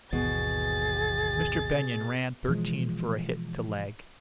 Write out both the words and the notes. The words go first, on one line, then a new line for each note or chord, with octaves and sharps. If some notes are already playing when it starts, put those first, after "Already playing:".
Mr. Benyon ran thirteen for a hit to leg.
G#1 D#2 B2 E3 G#4 A6
B2 E3 F3 G#3